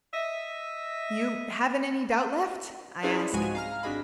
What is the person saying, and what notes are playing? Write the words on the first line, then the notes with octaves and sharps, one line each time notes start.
"You haven't any doubt left?" I ask.
D#5 E5
C#4 E4 G#4 B4 C5 D5
C2 G#2 F3 G#3 F#4 G#5
F5 A#5 F6
G#1 D4 F#4 G#4 D#5 B5